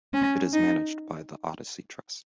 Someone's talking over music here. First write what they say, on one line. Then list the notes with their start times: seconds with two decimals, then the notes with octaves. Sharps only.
It is managed by The Odyssey Trust.
0.13 C#4
0.53 D#4